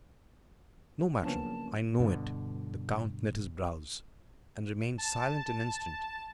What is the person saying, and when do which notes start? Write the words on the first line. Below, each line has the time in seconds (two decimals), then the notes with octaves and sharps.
"No matter; I know it." The count knit his brows, and remained silent an instant.
1.23 C#3 F3 F#3 A#3 B3 C#4 D4 A5
2.00 G2 B2 D3
4.98 A5